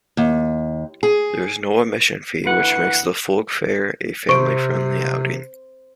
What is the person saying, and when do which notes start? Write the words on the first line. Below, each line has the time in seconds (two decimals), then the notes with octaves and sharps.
There is no admission fee which makes the Folk Fair a family friendly outing.
0.17 D#2
1.03 G#4
2.45 D2 E3 B4 F#5
4.29 C3 C5 C#6 D7